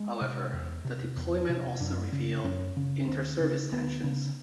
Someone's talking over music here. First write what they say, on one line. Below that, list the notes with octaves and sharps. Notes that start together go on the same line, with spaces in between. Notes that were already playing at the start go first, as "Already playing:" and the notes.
However, the deployment also revealed interservice tensions.
Already playing: G#3
C3
E2
C3
E2
C3
F#2 D4
C#3
F#2 C#4
C#3
D2 C4
C#3
D2 B3
C#3